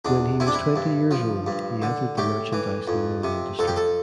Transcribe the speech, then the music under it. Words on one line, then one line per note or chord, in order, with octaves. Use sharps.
When he was twenty years old he entered the merchandise and milling industry.
E2 D4
C3 E4
D4
E4
G2
F3
G2
D3
A2 G4
E3
F2
C3
F2 A4
G4
A4